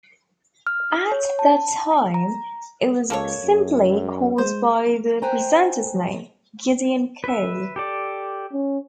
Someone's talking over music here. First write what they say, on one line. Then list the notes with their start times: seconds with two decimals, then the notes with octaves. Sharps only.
At that time, it was simply called by the presenter's name, "Gideon Coe".
0.67 F6
1.12 C#5
1.39 A5
2.14 A#5
3.10 C#2 A#3 A4 C#5
3.44 F#2
4.38 G#3 C5
5.22 B4 C5 G5 G#5 A#5
7.24 B4 E5
7.76 G4 A4 D5
8.53 C#4